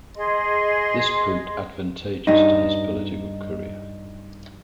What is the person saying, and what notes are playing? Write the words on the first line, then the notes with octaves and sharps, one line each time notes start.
This proved advantageous to his political career.
G#4 D#5 C6
G2 D#4